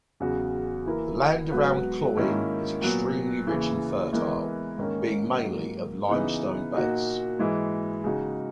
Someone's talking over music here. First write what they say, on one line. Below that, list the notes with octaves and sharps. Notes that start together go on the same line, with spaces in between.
The land around Cloyne is extremely rich and fertile, being mainly of limestone base.
E2 C#3 F#3 C#4 F#4
E3 A#3 E4 A#4
G#2 F#3 B3 F#4 B4
G#2 D#3 A#3 C#4 E4
A#2 F#3 B3
D#2 C#3 E3
E3 G#3 B3 E4 A#4
G#2 D#3 A#3 C#4
G#2 F#3 A#3
C#3 E3 B3 D#4
A#2 A#3 D#4 F#4
G#2 E3 G#3
C#3 G#3 D#4 F#4